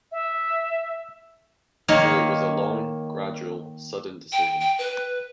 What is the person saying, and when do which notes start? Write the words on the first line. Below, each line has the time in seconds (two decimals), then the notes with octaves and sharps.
So it was a long, gradual, sudden decision.
0.12 E5
1.88 D#3 A#3 C#5
4.32 G5
4.60 G5
4.79 B4